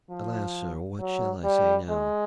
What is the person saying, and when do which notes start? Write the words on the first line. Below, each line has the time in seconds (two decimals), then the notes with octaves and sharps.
Alas, sir! what shall I say now?
0.10 F3
0.99 F#3
1.44 G3
1.89 G#3